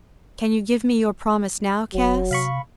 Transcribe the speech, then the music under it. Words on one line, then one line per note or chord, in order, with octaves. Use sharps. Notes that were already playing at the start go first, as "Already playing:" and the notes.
"Can you give me your promise now, Cass?"
F1 F#3
C3 F5 B5 C#6